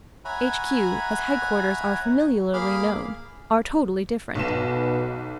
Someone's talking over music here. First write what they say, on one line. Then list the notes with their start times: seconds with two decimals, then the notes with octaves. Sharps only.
H. Q.'--as headquarters are familiarly known--are totally different.
0.25 C#5 E5 F#5 G#5 A#5 B5
2.53 A#3 G#4 F5 B5 D6 F6
4.35 B1 B2 E7